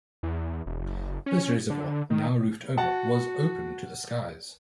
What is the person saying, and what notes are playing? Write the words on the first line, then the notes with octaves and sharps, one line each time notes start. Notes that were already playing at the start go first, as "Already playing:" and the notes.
This reservoir, now roofed over, was open to the skies.
E2
E1
F#1
C#4
D3
D#3
F#4 F#5 A5